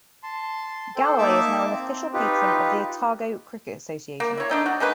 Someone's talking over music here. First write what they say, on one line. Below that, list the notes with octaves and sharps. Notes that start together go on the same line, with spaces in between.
Gallaway is now official patron of the Otago Cricket Association.
A5 C6
A4 C5 G5
A#3 D#4 E5 A5 D6 E6
C4
D#4 F4 G4 B4
A#3
E4 C#5
D4 D#4 A4
F#4
G#3 A#3 D#4 B4